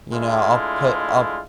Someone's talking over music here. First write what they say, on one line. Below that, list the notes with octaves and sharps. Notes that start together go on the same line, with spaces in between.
you know, I'll put I'll
G#3 A3 D4 E4 F4